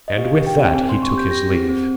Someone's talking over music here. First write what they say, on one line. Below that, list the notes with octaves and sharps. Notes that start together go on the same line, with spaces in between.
And with that he took his leave.
D#5
G4 F5
G4
G5
C4
C4 G#5
C6
C4
C#6
G4
G6
G4 A#6
C4
C4